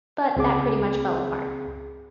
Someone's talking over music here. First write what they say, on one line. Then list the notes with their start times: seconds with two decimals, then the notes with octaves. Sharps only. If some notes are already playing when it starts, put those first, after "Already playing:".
But that pretty much fell apart.
0.36 C#2 C4 G#4 D6